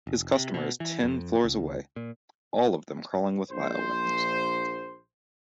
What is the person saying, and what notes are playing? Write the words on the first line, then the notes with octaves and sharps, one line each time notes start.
His customer is ten floors away, all of them crawling with bioweapons.
F1
C3
B2
E3
F2
C#2
A#2
A#1 C5